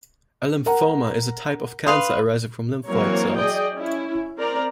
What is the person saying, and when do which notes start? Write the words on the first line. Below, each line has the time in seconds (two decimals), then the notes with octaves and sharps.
A lymphoma is a type of cancer arising from lymphoid cells.
0.66 A#4 F#5 A#5
1.87 B4 F5 C6 D#6
2.87 E3 F#3 A#3 C4 A#4 C#5
3.37 G#4 D5 D#5 G5
3.73 C#4 E4
4.38 C4 A#4 D5 A#5